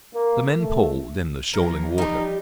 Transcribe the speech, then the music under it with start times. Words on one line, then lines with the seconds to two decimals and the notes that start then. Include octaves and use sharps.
The men poled in the shoaling water.
0.14 A#3
0.59 A3
1.54 E2 E3 F3 A#4
1.98 F3 G3 D#4 G4